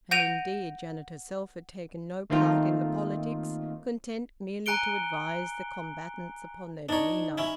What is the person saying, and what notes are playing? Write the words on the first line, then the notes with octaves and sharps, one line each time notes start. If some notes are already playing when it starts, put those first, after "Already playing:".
And indeed Janet herself had taken no part in the politics, content merely to advise the combatants upon their demeanour.
F#5 G6 A#6 D7 D#7 F7
D#3 A3 A#3 C4 D#4 F4
G#5 A#5 F#6 C#7 D7 G7
D4 D#4 C#5
C#4 E4